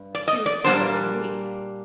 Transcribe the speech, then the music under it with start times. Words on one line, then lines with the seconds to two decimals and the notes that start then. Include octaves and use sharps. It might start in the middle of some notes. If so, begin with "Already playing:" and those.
She was stubborn and weak.
Already playing: G2
0.15 D5
0.28 D#5
0.46 D5
0.64 A#2 G3 A#3 D4 C5